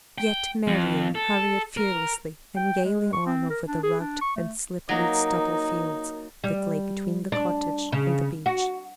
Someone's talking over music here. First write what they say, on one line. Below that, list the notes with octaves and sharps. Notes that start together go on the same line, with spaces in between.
Yet Marian hurried fearlessly and gayly on over the rugged and slippery stubble fields that lay between the cottage and the beach.
G5
F2
A4
A#4
G5
G#3
C#6
C4
A#4
D4
G#4
D4
C#6
A3
F#3 A#3 D#4
G3
D4
C#3
F#4